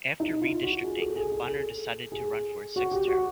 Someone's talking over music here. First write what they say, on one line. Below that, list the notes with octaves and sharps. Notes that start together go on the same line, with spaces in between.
After redistricting, Bonner decided to run for a sixth term.
D#4
F4
F#4
G#4
A4
G#4
G#4
A4
G#4
F#4
G4
F#4